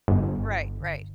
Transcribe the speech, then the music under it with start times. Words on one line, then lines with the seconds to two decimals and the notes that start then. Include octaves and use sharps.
Right, right.
0.08 G1